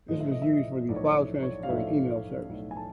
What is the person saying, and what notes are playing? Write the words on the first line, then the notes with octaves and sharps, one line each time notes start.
This was used for file transfer and email services.
B1 A2 F3 A3 D#5
E5
D#5
E5
D#5
B1 A2 F3 A3 D5
C#5
D5
C#5
F5
B1 A2 F3 A3 E5
B1 A2 F3 A3
G#5
A5